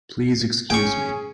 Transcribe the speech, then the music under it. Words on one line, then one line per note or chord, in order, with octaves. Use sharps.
Please excuse me.
C#4 G#4 G5 C#6